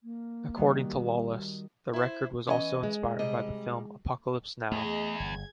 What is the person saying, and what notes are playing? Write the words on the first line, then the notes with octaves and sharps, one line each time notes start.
According to Lawless the record was also inspired by the film "Apocalypse Now".
A#3
D#3 G3 F#4
E4 C5
E3 C#4 D#5
G#3
C3 G3 D#5
E2 A3 G#4 D#5
G1 G#6